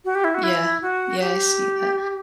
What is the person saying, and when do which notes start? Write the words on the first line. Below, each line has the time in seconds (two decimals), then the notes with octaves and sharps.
Yeah, yeah, I see that.
0.05 F#4
0.15 G4
0.24 E4
0.35 F#4
0.44 E4
0.82 F#4
1.20 G4